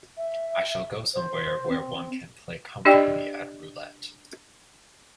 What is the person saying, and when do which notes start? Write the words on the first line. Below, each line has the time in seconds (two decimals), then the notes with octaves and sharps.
I shall go somewhere where one can play comfortably at roulette.
0.18 E5
1.15 C5
1.70 C4
2.85 D4 G4 D5 D#5 G5